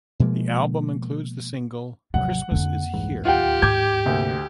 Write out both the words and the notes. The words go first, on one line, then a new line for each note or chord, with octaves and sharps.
The album includes the single "Christmas Is Here".
B2 F3 G#3 A#3
G#1 D#2 C3 F3 F#3 F#5
F2 D3 A#3
C2 G#2 E3
D1 D#2 F4 G4 F#5 G5
G#2 D6 G6 G#6
D2 C3 A#3